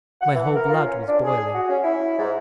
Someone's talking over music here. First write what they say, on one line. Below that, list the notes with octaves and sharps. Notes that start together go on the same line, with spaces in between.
My whole blood was boiling.
F#5
E3
A#4
F4
C#4
D4
G#4
F#4
C#4
E4
G#2